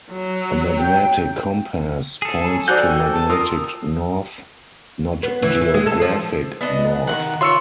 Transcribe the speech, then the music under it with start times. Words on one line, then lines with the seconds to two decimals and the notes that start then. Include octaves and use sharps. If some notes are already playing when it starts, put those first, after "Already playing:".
A magnetic compass points to magnetic north, not geographic north.
0.11 F#3
0.77 G5
2.22 G#4 A4
2.42 F#3 G#5
2.68 D#4 F#4 A4 C5 D5 F#6 G6
2.81 G5 G#5
3.12 A5
3.30 F4 A#4 D#6 E6
5.23 B3
5.42 E3
5.61 E3
5.74 G#3
5.86 A4
6.01 F3
6.61 B3 D4 D#5
7.07 D#3 G#3 F#5
7.41 F4 C#5 C6 E6 C#7